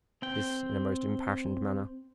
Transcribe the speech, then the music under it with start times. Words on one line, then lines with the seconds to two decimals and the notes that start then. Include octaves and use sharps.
This in a most impassioned manner.
0.22 C4 G5